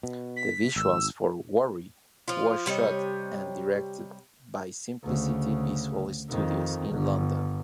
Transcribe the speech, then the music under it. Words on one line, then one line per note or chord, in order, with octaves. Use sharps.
The visuals for "Worry" was shot and directed by Simplicity Visual Studios in London.
B2
B6
G#1 E6
F3 F4
C3 G3 C#5 D#5
D2 C#3
F2 D#3
G1